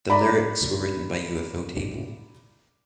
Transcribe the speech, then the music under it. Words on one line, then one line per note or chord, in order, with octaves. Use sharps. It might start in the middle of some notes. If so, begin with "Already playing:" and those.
The lyrics were written by ufotable.
D5 A#5 B5